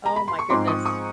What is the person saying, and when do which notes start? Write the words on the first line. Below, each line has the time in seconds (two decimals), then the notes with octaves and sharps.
Oh my goodness.
0.06 A#5
0.16 B5
0.28 C6
0.39 C#6
0.49 G#2 F3 G#3 C4 D#4 C6 D6
0.67 C#6 D#6
0.85 C#6 D#6